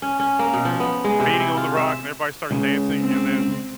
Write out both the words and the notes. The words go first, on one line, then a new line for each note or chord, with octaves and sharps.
beating on the rock and everybody starts dancing and then
C#4
C#4
A#3
B2
F3
B3
G#3
C3
E4
F4
E5
C#2 A#2 C#3
C4